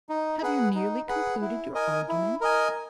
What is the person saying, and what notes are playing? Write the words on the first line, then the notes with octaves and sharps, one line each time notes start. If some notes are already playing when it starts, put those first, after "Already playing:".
"Have you nearly concluded your argument?"
D#4
G#4 B4 F#5
D#4
G#4 B4 F#5
E4
A#4 D#5 G#5
E4
A#4 D#5 G#5